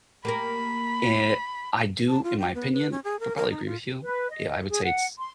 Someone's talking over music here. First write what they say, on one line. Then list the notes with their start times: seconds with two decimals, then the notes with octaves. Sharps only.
Eh, I do, in my opinion, p probably agree with you, yeah, I would say it's
0.25 A#3 G4 A#4 B5
2.08 A5
2.24 F4
2.39 G5
2.54 B3
2.73 B4
2.91 C#4
3.04 G#4
3.20 A#4
3.36 A#4
3.51 D#4
3.66 F4
4.04 B4
4.30 D#5
4.69 G#4
4.83 F#5
5.18 C6